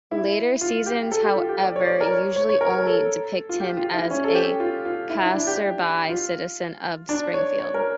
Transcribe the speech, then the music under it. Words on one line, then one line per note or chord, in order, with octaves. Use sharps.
Later seasons however usually only depict him as a passerby citizen of Springfield.
E4
F4
G4
A4
G4
F4
G4
D5
C#5
D5
A#4
C#5
C#5
C#5
A#4
C#5
A#4
A4
F4
G4
F4
E4
C#4
A4
G4
F4
F4
E4
E4
D4
G4
F4
D4
C#5
C#5
A#4